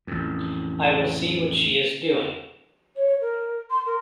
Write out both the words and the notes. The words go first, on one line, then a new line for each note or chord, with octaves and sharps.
I will see what she is doing.
A1 F2
C#5
A#4
C6
A#4